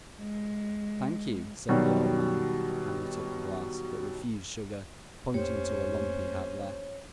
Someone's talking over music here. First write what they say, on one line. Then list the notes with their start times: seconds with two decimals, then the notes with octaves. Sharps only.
"Thank you," said the old man, and he took the glass, but refused sugar, pointing to a lump he had left.
0.18 G#3
1.69 B2 D#3 F#3 G3
5.34 F2 A3 A#3 C#4 G4 C5 C#5